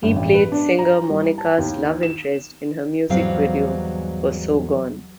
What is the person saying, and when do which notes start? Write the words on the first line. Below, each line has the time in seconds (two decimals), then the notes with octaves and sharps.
He played singer Monica's love interest in her music video for "So Gone".
0.03 G1
0.16 A1
0.34 B4
0.52 D4
0.79 A#5
1.10 G3
1.38 A5
1.58 D#2
2.03 E7
3.10 E2 G#2 F#3 G3 C4 F5